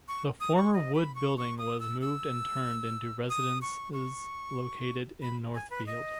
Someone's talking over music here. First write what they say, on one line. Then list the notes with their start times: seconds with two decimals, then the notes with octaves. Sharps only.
The former wood building was moved and turned into residences located in Northfield.
0.08 C#6
0.40 D#6
0.57 C#6
0.74 D#5
0.95 B5
1.15 C#6
1.37 C#6
1.58 D#6
1.80 E6
2.01 E6
3.30 D#6
3.62 C#6
3.93 C#6
5.22 B5
5.55 G#5
5.70 B4
5.86 D#5